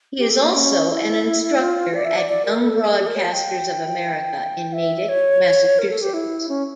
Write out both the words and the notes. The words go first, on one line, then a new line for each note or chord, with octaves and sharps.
He is also an instructor at Young Broadcasters of America in Natick, Massachusetts.
G4
A4
A#3
C#4
E4
F4
D5
E5
D5
D5
A#4
A4
G4
A#4
C#5
A5
G5
E5
C#5
A#4
A4
G4
E4
C#4